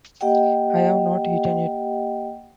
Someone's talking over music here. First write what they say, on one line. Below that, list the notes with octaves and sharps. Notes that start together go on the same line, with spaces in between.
I have not eaten yet.
A#3 G4 D#5 F#5 G5